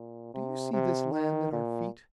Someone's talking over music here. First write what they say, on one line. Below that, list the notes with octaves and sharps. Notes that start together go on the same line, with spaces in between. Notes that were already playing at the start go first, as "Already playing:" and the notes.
'Do you see this land at our feet?'
Already playing: A#2
C3
C3
D#3
A#2